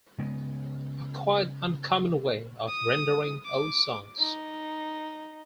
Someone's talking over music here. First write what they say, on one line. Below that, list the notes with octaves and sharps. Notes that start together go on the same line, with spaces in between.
A quite uncommon way of rendering old songs!
C#3 G#3 A#3 B3
D#6
D6
D#4